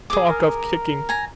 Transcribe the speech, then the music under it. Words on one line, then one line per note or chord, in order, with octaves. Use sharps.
Talk of kicking!
G#4 D6
A#4
G#5 A#5